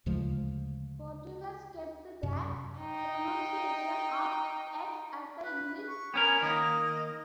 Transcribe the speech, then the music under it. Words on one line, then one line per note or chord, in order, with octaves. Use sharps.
Portuguese kept the pronunciation of "x" as the English "sh".
D2 C#3 F3 G#3
F#2 C3
D#4 G5
B4
C#6
B3 C#4 A#4 G#5
D#3 A#3 D#5